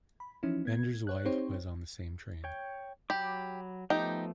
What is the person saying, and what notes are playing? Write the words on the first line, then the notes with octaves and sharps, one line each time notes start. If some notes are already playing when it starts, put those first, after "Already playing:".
Bender's wife was on the same train.
B5
E3 F3 C#4 D#4 E4
B3 G#6
C#5 F#6
C4 D#4 G4 C5 C#5
C#5 G5
F#3 G4 B5 D6
F3 A3 B3 D#4 G4